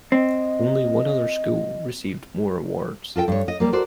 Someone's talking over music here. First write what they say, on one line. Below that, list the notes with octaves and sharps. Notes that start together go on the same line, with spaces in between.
Only one other school received more awards.
C4 D#5
F4 A4 D#5 G5
G2 C#5
D#5
G3 A#3
F#4 A4 A#4 C5 D5